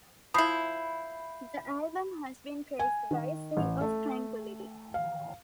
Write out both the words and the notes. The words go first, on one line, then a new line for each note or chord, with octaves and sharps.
The album has been praised by "Sea of Tranquility".
F3 E4 B5 D#6 G6 C7
G#5
D#3
A1
A3
F5